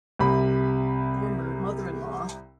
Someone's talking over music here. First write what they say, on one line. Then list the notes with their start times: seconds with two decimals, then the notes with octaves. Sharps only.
former mother-in-law
0.19 C2 C3 B5